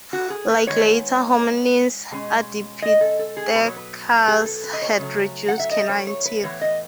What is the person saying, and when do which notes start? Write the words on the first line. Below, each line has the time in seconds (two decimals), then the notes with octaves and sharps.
Like later hominins, "Ardipithecus" had reduced canine teeth.
0.13 F#4
0.30 G#4
0.49 B4
0.67 D#3 G#3 B3 C#5
2.11 B2 G#3 C#4
2.82 D#5
3.01 A4
3.19 A4
3.37 G#4
3.55 B2 F#3 B3 B4
3.66 C#5
3.76 B4
4.28 G#4
4.46 A4
4.64 B4
4.73 D#5
4.82 C#5
4.99 C#3 F#3 A3
5.48 F#5
5.60 E5
5.71 D#5
5.89 C#5
6.07 C#5
6.25 B4
6.43 A2 E3 B3 C#5
6.61 D#5